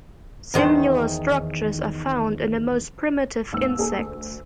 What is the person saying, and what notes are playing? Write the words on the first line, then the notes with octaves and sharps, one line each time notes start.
Similar structures are found in the most primitive insects.
E2 D#3 C5
D#2 G#2 E6
A#3 G#4 A4
D2